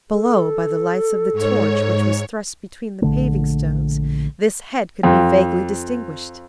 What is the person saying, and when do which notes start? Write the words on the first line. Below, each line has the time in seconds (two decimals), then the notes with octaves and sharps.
Below, by the lights of the torch, which was thrust between the paving-stones, this head could be vaguely distinguished.
0.10 A4
1.32 G#2 C#5
3.02 A#1 D3 A3
5.03 F2